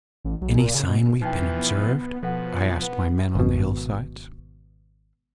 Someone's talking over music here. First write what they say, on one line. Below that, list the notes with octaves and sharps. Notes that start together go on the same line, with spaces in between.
"Any signs we have been observed?" I asked my men on the hillsides.
A1
B1
A#2
C#3
B2
B2 E3 F3 D#4 G5
B3
B2 F3 A4 B4 F#5
B3
G#1 B2